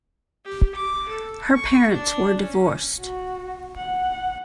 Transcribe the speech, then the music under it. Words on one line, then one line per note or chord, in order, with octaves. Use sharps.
Her parents were divorced.
G4
D6
A4
C#6
D4
C#4
F#4
F#5